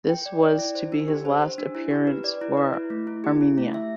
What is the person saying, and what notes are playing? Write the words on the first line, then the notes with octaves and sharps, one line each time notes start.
This was to be his last appearance for Arminia.
G5
D5
D5
E4
C5
D4
G4
C5
C5
D4
E4
G4
B4
D5
E4
B4
E4
A3
E4
G4
E4
A3
E5